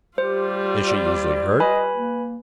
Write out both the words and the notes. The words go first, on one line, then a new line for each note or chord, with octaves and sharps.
Is she easily hurt?
G3 F4 G4 C5
D5
B4 D#5 G#5 B5
A#3